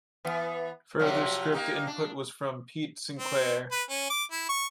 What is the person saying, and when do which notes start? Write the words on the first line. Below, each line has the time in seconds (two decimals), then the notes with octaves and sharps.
Further script input was from Pete Sinclair.
0.25 E3 B3
0.99 C3 F3 F#3
1.52 A#3 D#4 G4
1.87 D4
3.19 C4
3.72 B4
3.90 C#4
4.10 D6
4.32 E4
4.49 C#6